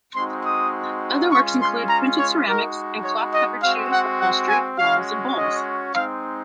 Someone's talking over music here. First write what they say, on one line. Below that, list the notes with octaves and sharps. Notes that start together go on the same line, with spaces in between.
Other works include printed ceramics, and cloth-covered shoes, upholstery, walls and bowls.
G#3 C4 D#4 F#4 C6
D#6
G#3 C#4 F4 C#6
C6
A#5
C#5
G#3 D#4 F#4 A#4
C#5
D#5
G#3 C4 F#4 F5
F#5
F#5
G#5
G#3 C#4 F#4 F5
D#5
G#3 C4 D#4 F5